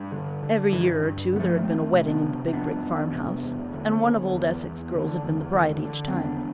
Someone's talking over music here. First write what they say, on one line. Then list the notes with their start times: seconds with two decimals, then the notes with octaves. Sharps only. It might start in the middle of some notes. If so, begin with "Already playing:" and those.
Every year or two there had been a wedding in the big brick farmhouse, and one of old Esek's girls had been the bride each time.
Already playing: G2
0.12 D3
0.43 D3
0.72 G2 E3
1.03 G2
1.32 D3
1.36 B3
1.40 F3 A3
1.63 F2 A3 C4
1.92 C3
2.08 B3 D4
2.22 C3
2.47 C4
2.53 F2 B3 D4
2.83 F2
3.13 C3
3.43 E2
3.74 D3
4.03 D3
4.34 E2
4.64 E2
4.94 D3
5.24 E2
5.54 D3
5.85 D3
6.08 C4
6.14 E2 B3 D4